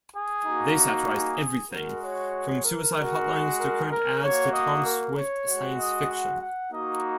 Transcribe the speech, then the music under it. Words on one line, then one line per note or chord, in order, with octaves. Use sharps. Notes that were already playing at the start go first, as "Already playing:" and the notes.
They satirized everything from suicide hotlines to current ads to Tom Swift science fiction.
G#4
A#3 D#4 F#4
G#4
G#3 F#4 A#4
C#5
A#4
G#3 F#4
A#4
A#4
A#3 F#4 C#5
D#5
A#4
C#5
G#3 F#4
D#5
F#5
F#5
A#3 D#4 F#4 D#5